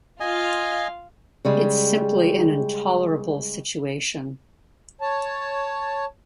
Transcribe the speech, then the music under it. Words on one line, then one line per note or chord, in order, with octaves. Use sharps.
It's simply an intolerable situation.
F4 D#5 F5 G#5
C#3 G3 G#3
C#5 A5